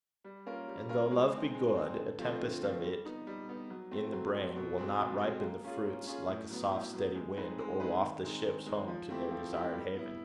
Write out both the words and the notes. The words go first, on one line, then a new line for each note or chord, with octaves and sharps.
And, though Love be good, a tempest of it in the brain will not ripen the fruits like a soft steady wind, or waft the ships home to their desired haven.
G3
A#3 C#4 F4 A#4
G3
A#3 C#4 F4 A#4
G#3
C4 D#4
G#3
C4 D#4
D3
F3 A3 C4 F4
D3
F3 A3 C4 F4
G3
B3 D#4
G3
B3 D#4
F#3
A3 C4
F#3
A3 C4
B2
G#3 C4
B2
G#3 C4
A#3
C#4 F4 G#4
A#3
C#4 F4 G#4
A2
F#3 B3
A2
F#3 B3
G#3
C4 D#4 G#4 B4
G#3
C4 D#4 G#4 B4
D#3
G#3 C4 D#4
D#3
G#3 C4 D#4
F3
A3 C4 E4 G4
F3
A3 C4 E4 G4
G3
B3 E4